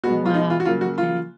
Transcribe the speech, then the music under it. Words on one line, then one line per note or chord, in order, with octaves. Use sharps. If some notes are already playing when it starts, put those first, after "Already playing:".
Wow, okay.
B2 G#3 B3 F#4
F4
D#4
F4
F#4
C#3 F#3 A#3 F4
F#4
F4